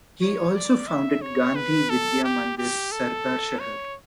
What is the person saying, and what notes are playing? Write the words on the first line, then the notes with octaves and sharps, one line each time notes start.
He also founded Gandhi Vidya Mandir Sardarshahar.
C#5
D5
E5
C#5
B4
A4
G4
G4
A4
C#5